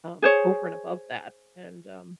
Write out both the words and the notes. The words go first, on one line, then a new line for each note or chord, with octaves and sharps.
um, over and above that and, um
G#4 C5 C#5